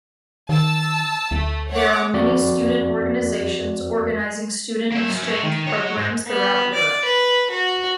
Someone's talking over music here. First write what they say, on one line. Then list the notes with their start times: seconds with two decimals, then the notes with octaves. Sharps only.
There are many student organisations organizing student exchange programmes throughout Europe.
0.49 D#3 A5 E6
1.31 D2 A3
1.70 C#5 F#5 D6
2.14 F2 F#4 D5
4.92 A#3 E5
5.10 F#2
5.24 C#5 E5
5.44 D#3
5.67 F#4 C#5
5.97 G#2
6.26 B3
6.74 D5
7.05 B4
7.51 F#4